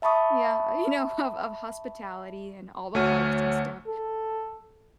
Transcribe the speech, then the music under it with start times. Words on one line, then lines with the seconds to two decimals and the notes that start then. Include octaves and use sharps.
yeah, you know, of of hospitality and all the parks and stuff.
0.02 E5 A5 B5 C#6 D#6
2.95 D2 A3 F#4 C#5 F6 D#7
3.87 A4